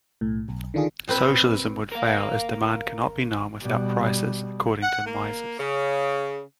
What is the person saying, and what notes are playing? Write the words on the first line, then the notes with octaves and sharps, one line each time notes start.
Socialism would fail as demand cannot be known without prices, according to Mises.
B1 A2
B1
D3 D#3 D4 F4 G#4
A#2 C4 B4
A#4 F5
B2 G3
F#5
A#3
C#3